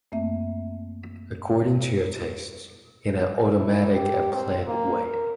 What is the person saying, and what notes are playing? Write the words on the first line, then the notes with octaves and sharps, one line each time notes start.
According to your tastes, in an automatic and planned way.
F#2 A3 A#3 C4 E5
E4
G4
C4
A#3
A#4